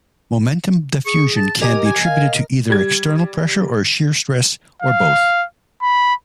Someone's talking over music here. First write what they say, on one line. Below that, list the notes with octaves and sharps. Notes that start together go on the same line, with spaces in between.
Momentum diffusion can be attributed to either external pressure or shear stress or both.
G#4 C#6
A5
G4 A#4 D#5 G#5
G#5
F5
G3 G#6
F5
B5